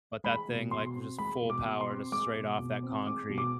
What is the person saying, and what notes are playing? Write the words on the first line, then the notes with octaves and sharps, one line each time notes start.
but that thing, like, just full power to straight off that concrete.
G#3 B5
B2
B2 C6
C4
G#3 B5
B2
D6
B2
C6
C4
G#3 D6
B2
B2
C4
G#3 D6
B2
D6